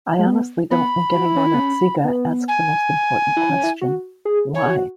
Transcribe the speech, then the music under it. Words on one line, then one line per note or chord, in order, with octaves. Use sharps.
I honestly don't think anyone at Sega asked the most important question: 'Why?
G#3
B3
B3 B5
F#4
E4
C#4
E4
B3
C#4
B3
G#5
E4
C#4
E4
F#4
G#4
C#5
G#4
F#4